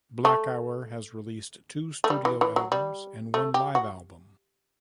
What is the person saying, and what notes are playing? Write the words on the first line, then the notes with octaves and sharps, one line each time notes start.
Black Hour has released two studio albums and one live album.
A3
A3
G3
E3
E3
F#3
G3
A3
G4
F#4